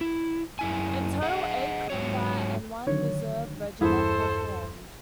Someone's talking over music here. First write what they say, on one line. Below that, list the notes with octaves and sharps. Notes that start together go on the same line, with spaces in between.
In total eight combat and one reserve regiment were formed.
E4
F#2 E4 G#5
G#4 D#5 F#5
G#2 D#3 F#3 C#5
D3 D#3 F#3 C#5
E2 G2 E4 G#4 A4 C5